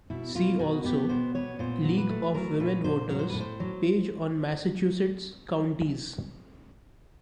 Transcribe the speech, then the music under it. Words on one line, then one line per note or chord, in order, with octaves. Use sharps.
See also: League of Women Voters page on Massachusetts counties.
B2 E4
B2 F4
B2 F#4
B3 G4
B2 C5
B3 C#5
A#2 C5
F#3
B4
A3
F#3 A#4
A#2 B4
A#2 C5
F#3 C#5
C5
A2 B4
C5
F#3